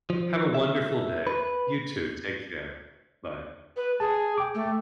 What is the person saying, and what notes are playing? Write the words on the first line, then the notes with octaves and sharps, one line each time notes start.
Have a wonderful day. You too. Take care. Bye.
F3
E5
B4
B4
G#4 A5
G5 D6
A3